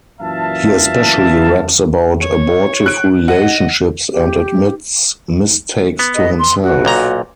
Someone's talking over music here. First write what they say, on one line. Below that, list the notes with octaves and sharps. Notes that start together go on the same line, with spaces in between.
He especially raps about abortive relationships and admits mistakes to himself.
F#2 A#2 E3 E5 F5 A5
C#5
F#6 D7
D#5 F#5
G4
B3
D#5
C6
F#4
B1 A#2 A#5